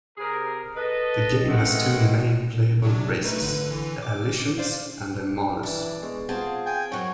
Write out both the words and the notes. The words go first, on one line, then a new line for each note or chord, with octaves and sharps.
The game has two main playable races: the Alyssians and the Malus.
C3 G#4 A#4
A4 B4 D#5
D#3 E3 G#3 A3 D#5 F#5
C3 F#3 D4
A3 D#4 B4
G#1 D3 B4
D3 E3
D6
C5 D5 F5
E3 D4
G#3 B3 G#4 B4
C4 F4 G#4 C5 F#5 A5 A6
G5 G#5 A6
F#2 F#3 C5 C#5 F#5 F#6